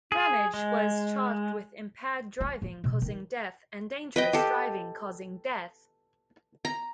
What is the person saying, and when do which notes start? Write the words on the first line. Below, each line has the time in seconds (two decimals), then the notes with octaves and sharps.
Ramage was charged with impaired driving causing death and dangerous driving causing death.
0.12 G#4
0.54 G#3
2.40 F4
2.62 F3
2.84 B2
3.02 D#3
4.16 B4 D#5 G5
4.33 G4 A4
6.65 A#5